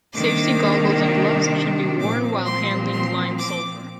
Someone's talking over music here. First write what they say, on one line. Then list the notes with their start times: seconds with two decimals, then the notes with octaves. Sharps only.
Safety goggles and gloves should be worn while handling lime sulfur.
0.14 C3 D#3 G3 A#3 D4 D6
1.99 A#2 F3 C4 D6
2.46 C6
2.92 C6
3.38 D6